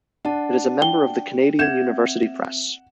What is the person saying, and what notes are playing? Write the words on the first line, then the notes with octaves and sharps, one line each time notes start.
It is a member of the Canadian University Press.
D4 F#5 A5
G5 G7
C4 E5 F#5 G6 G#6 E7